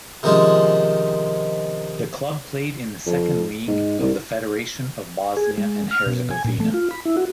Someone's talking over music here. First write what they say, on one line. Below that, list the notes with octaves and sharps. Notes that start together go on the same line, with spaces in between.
The club played in the Second League of the Federation of Bosnia and Herzegovina.
C3 D#3 F3 G#3 C#4
F2
G#2
C2
G#4
G#3
F6
B2
G#5
A#2
A3
F4
B5
E4
F#4